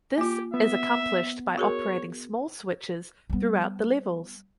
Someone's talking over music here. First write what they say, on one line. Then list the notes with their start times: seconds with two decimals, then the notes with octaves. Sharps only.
This is accomplished by operating small switches throughout the levels.
0.18 A#3 F4 G4
0.54 B3 E5
1.58 F#4 G#4 A#4 C#5
3.30 G3 B3